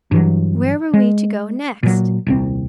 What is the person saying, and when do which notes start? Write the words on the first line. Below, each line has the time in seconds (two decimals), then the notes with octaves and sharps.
Where were we to go next?
0.11 G2 E3 F#3
0.94 G#3
1.83 A#2 F#3
2.26 D#1 C2 C4